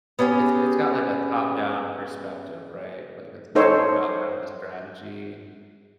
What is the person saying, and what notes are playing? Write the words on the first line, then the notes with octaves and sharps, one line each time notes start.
It's it's got, like, a top-down perspective, right? Like, it's it's more about kind of the strategy
B3 C#4 G4 G#4
D#4 A4 C5 C#5